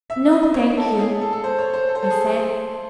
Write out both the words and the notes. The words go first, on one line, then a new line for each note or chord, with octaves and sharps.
"No, thank you," I said.
E5
D#5
C#5
A4
G#4
A4
A4
C5
C#5
C5
A4
C5
A4
G#4